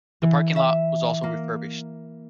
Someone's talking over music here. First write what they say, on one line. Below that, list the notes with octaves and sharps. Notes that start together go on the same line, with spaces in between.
The parking lot was also refurbished.
E3
E5
A#3